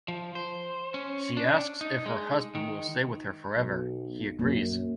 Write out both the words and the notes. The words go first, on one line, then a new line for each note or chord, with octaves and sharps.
She asks if her husband will stay with her forever he agrees.
F3
C5
C#4
D4
D#4
G#3
D#3
B1
F#2 A#3